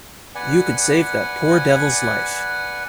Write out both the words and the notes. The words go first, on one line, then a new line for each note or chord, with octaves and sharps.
You could save that poor devil's life.
B4 D5 F#5 G#5